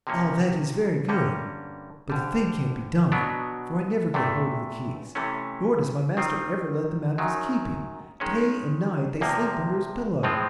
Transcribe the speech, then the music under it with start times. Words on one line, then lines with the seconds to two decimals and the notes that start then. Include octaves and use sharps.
"All that is very good; but the thing can't be done, for I never get hold of the keys, nor does my master ever let them out of his keeping; day and night they sleep under his pillow."
0.07 C3 F3 A#3 C#4
1.09 G2 D3 G3 A#3 C#4
2.10 F2 D3 G3
3.12 B2 F#3 B3 D4
4.14 E2 C3 E3 A3
5.15 C3 E3 A3 C#4
6.17 D#3 G3 C4 F4
7.18 F#2 D#3 F#3
8.20 D#3 G#3 C#4
9.21 E2 C3 F3 A#3
10.23 A2 F3 G#3 C4 F4